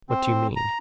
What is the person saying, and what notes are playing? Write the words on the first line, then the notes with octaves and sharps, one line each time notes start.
What do you mean?
C4
A#5